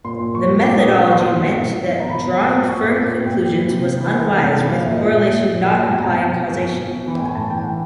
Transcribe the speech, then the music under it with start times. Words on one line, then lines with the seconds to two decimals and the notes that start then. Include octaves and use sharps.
The methodology meant that drawing firm conclusions was unwise with correlation not implying causation.
0.04 A#2 C6
0.20 A#2
0.34 A#2 C#6
0.48 A#2
0.63 A#2 D6
0.77 A#2 D#6
0.92 A#2
1.03 C#6
1.08 A#2 C6
1.21 B2
1.36 B2
1.51 B2
1.66 B2
1.80 B2
1.96 B2 A#5
2.10 B2 B5
2.25 B2
2.39 A#2
2.53 A#2
2.68 A#2 C#6
2.82 A#2 D6
2.98 A#2
3.11 A#2
3.26 A#2 G5
3.40 A#2
3.56 E3
3.70 C3
3.85 C3
4.00 E3
4.14 E3 F#5
4.29 C3
4.44 C3
4.58 E3
4.72 A#2 F5
4.83 E5
4.88 A#2 D#5
5.02 A#2 E5
5.16 A#2
5.30 A#2
5.46 A#2
5.61 A#2
5.75 A#2
5.83 G#5
5.89 B2 G5
6.00 A#5
6.04 B2 A5
6.13 G5
6.18 B2 G#5
6.34 B2
6.48 B2
6.63 B2
6.77 B2
6.92 B2
7.07 E3
7.16 G5
7.21 A2 G#5
7.35 A2 A5
7.50 E3 G5
7.63 E3 F#5